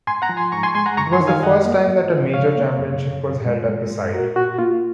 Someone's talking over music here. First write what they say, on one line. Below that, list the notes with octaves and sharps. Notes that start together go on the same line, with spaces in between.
It was the first time that a major championship was held at the site.
G#2 G#5 C6
F#5 A#5
F3
G#5 C6
G#2 A#5 C#6
G#5 C6
G#3 G#5 C6
F#5 A#5
F#2 A#5 C#6
G#5 C6
D#3
F5 G#5
F#2 D#5 F#5
A#3
G#2
F3
G#2 C#5 F5
A#3
F#2
C#3
F#2
G#3
G#3
G#3
A#2 F#4 A#4
A#2 F#4
A#3 F4